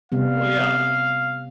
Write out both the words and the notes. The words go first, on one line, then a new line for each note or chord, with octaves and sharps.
Well, yeah.
C3 G3 B3 F5